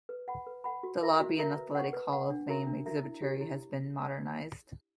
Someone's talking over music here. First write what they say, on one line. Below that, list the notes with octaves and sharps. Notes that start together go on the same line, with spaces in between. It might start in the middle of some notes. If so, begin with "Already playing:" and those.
The lobby and Athletic Hall of Fame exhibitry have been modernized.
B4
F#5 B5
B4
F#5 B5
F#4
A#4 E5 A#5
F#4
A#4 E5 A#5
B4
F#5 C#6
B4
F#5 C#6
D4
F#4 A#4 E5 A#5
D4
F#4 A#4 E5 A#5
E4
G4 C#5
E4